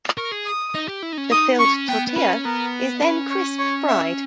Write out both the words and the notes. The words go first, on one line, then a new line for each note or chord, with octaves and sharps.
The filled tortilla is then crisp-fried.
A#4 C#6
G#4
D#6
D#4
G4
E4
D#4
C#4
D#4 D#6
C#4 C#6
B3 G5
B3
C#4 B4
B3 A#4
C#4 B4
C#5
C#5
E5